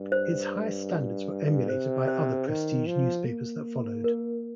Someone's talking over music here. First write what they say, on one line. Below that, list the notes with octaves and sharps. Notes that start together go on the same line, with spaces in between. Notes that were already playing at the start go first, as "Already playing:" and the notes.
Its high standards were emulated by other prestige newspapers that followed.
Already playing: G2
C5
C3 C5
C5
D#3
F3
A#3
A#4